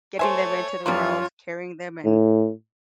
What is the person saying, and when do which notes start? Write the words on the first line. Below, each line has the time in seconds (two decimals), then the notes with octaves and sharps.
getting them into the world, carrying them and
0.19 A3 C5 C#5 E5 G#5
0.86 F#2 F3 G3 G#3 A#3 F4 C#5 C6
2.04 A2